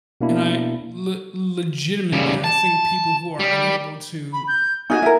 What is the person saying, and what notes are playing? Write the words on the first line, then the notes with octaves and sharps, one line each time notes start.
And I le legitimately, I think people who are unable to
B2 A#3 D4 E4
C#3 G3
A5
G3
B5
G6
D#4 F4 F#4 G#5
E4 A#4